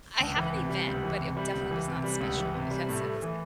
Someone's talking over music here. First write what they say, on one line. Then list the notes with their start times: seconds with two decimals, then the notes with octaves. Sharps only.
I have an event, but it definitely was not special because it was
0.20 C#2
0.37 E3
0.54 C3
0.69 G3
0.87 C#2
1.03 E3
1.21 C3
1.37 G3
1.54 C#2
1.71 E3
1.88 C3
2.04 G3
2.20 C#2
2.38 E3
2.55 C3
2.71 G3
2.89 A2
3.05 A3
3.22 E3